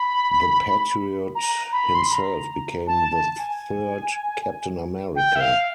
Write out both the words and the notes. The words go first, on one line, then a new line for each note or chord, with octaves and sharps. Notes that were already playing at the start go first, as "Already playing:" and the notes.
The Patriot himself became the third Captain America.
Already playing: B5
A#5
B5
C6
B5
A#5
A5
A5
G#5
G5
E5
F5